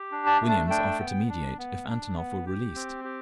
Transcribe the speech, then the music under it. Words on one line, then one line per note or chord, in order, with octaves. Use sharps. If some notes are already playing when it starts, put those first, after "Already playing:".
Williams offered to mediate if Antonov were released.
Already playing: G4
D4
A5
A3
A5
D4 G5
B3
D4
B3
D4
B3
G4
C4
G4